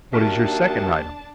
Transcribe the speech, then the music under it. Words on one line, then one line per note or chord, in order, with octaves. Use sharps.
"What is your second item?"
D#2 D4 F#4 A#4 E5 A5